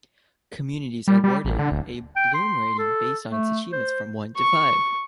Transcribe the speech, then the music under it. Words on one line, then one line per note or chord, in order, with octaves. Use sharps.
Communities are awarded a "Bloom Rating" based on its achievements from one to five.
G3
G3
A1
D3
D1
G5
C6
A4
A3
C5
C#6